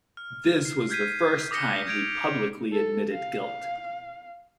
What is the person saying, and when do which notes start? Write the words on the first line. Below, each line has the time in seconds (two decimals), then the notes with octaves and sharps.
This was the first time he publicly admitted guilt.
0.17 F6
0.65 C7
0.90 F6 G6 G#6 B6 C7 D#7
1.51 D6 D#6 A#6 B6 C#7 G7
1.87 G6 G#6 D7 F7
2.72 A4
3.12 F5